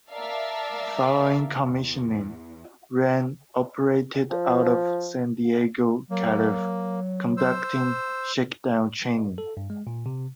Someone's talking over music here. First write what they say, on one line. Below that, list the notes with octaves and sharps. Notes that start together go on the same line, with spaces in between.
Following commissioning, "Wren" operated out of San Diego, Calif. conducting shakedown training.
A#4 D5 E5 F5 A5
E2
F3
F#3 A#3
C5 E6
A4
G2
G#3
A#2
C3